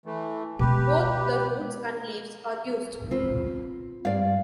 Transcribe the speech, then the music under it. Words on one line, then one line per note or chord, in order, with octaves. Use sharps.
Both the roots and leaves are used.
E3 A3
B2 G#3 G4 B4
C4 F4 B4
G2 D5 F5